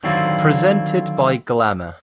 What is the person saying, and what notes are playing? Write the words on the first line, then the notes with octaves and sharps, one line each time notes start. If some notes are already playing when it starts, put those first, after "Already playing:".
Presented by Glamour.
D3 D#3 F#3 C4 E4 F4